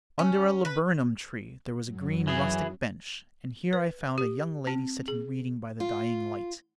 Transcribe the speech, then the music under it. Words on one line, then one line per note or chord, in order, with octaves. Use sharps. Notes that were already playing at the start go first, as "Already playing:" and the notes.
Under a laburnum-tree there was a green rustic bench; and here I found a young lady sitting reading by the dying light.
C#4
B4
F#2 F#3
E3 G#4
B4
G4
C4
G#4
F4